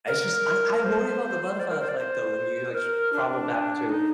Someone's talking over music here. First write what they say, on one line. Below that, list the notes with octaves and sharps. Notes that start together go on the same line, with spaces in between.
I just I I worry about the butterfly effect though when you, like, s travel back to,
A#4
C5
D5
A#4
C5
D5
C5
A#4
D4
D#4